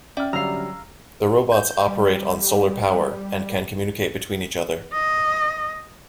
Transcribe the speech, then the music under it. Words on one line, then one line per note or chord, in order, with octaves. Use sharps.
The robots operate on solar power and can communicate between each other.
C#4 D5 E5 G5 F6
D3 F#3 G3 G4 F5 A#5 E6
G6
G3
D#5